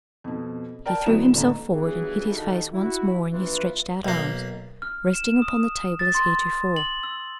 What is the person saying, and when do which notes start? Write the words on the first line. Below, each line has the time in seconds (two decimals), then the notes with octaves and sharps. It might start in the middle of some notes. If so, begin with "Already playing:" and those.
He threw himself forward, and hid his face once more in his stretched-out arms, resting upon the table as heretofore.
0.24 F2 B2
0.86 A#4 D5 G5 A5
1.06 D3 F#3 B3 E4 E7
1.34 A1 D3 A#3
1.70 G1 E3 F#3 B3 G#4
2.27 D#3 G3 A#3 D4 F#4 A4
2.73 E4 F#4
3.31 A#1 E3 F4 B4
4.05 B1 A#3
4.82 F6
5.14 E7
5.42 D#6
5.99 A6
6.15 C6
6.76 F#7
7.03 E6